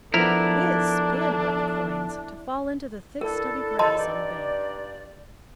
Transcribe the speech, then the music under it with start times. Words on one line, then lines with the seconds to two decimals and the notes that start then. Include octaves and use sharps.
Whiz--spin--went the coins, to fall into the thick stubby grass on the bank.
0.14 F3 B3 D4 E4 A4 A#4
3.21 D4 E4 A4 A#4
3.79 D#2 E4 A4 D#5 A5 C6
3.98 G2 D#4 D5